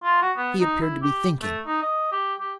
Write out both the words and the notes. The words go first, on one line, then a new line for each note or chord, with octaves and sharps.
He appeared to be thinking.
F4
F#4
B3
D#4
E4
G4
A3
D#4
D#5
G4
G4